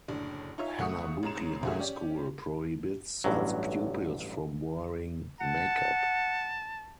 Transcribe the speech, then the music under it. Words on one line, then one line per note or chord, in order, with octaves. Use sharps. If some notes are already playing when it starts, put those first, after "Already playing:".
Hanabuki High School prohibits its pupils from wearing makeup.
F#1 A2 D3 D4
D#4 F4 C#5 E5
C#2 A3 F#5 C#6 D#6 C#7
A1 G#3 A#5 E7
C#2 D#3 A3 F#4 G#4 E5
C#4 G4 D5
A1 G2 F#3
F#5 A5